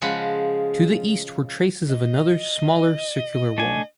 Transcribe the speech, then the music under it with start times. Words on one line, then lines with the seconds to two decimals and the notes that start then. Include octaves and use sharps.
To the east were traces of another, smaller circular wall.
0.01 C#3 F3 G#3 F#5 B5
1.90 D#5
3.58 A3 D4 G#5